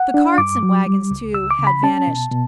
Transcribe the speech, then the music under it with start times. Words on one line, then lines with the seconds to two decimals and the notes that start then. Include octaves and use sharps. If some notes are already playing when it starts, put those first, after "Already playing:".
The carts and wagons, too, had vanished.
Already playing: F#5
0.14 D4
0.38 G2 D6
0.63 F#3
0.86 G3
1.11 C#2
1.34 C#2 E6
1.51 D6
1.59 C#3
1.67 B5
1.83 C#4 A5
2.07 B2
2.31 B2